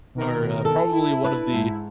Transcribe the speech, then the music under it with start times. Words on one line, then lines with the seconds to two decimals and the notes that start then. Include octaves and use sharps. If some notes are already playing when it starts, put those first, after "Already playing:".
are, uh, probably one of the
0.15 B2 D#3 A#4
0.65 A4
0.92 E4
1.24 D4 B4
1.53 G#2